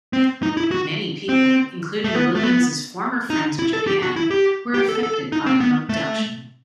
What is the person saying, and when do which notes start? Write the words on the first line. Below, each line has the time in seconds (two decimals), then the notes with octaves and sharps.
Many people, including Williams' former friends in Japan, were affected by her abduction.
0.13 C4
0.43 D#4
0.57 E4
0.71 F#4
1.29 C4
2.04 A3
2.15 B3
2.35 A3
2.43 B3
3.30 D#4
3.59 E4
3.73 A4
3.87 G4
4.02 F#4
4.16 E4
4.31 G4
4.74 G4
4.89 A4
5.03 A4
5.32 D#4
5.46 C4
5.60 B3
5.89 A3